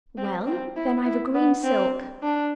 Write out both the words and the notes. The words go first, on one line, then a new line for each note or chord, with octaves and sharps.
'Well! then I've a green silk.
C4
C4
E4
E4
B3
C4
D4